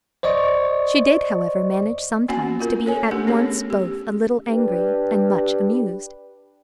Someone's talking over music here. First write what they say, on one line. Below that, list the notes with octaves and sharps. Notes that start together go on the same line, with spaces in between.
She did, however, manage sometimes to be at once both a little angry and much amused.
C5 D5 D#5 C#6
A#3 B3 C#4 F#4 F#5 G#5
F4 A#4
A4 C#5 G#5
A3 D4 G4 A4 A#4
B3 C#4 G#4 C#5
G4
D4 G4 B4